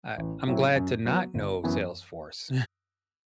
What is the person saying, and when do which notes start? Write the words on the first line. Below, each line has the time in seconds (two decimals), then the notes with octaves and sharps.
I I'm glad to not know Salesforce
0.18 A1
0.47 A2 F#3 C4 E4
0.76 F#2
1.05 F#3 B3
1.34 G1
1.64 F#2 E3 B3